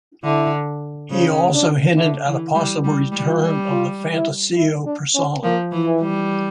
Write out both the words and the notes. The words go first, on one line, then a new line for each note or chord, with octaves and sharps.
He also hinted at a possible return of the Phantasio persona.
D3 E4
C#3 F3
D4
D3 E4
E3
G3
G3
G3
F4
G3
F4
E4
E4
D4
C#4
F3 A#3
E3
E3
G3